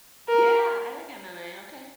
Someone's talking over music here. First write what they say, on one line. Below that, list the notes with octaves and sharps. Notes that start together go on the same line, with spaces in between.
Yeah, I like MMA, okay.
A#4